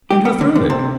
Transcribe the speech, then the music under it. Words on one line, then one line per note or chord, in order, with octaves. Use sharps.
"And who threw it?"
G4
B3
D3
D3
C3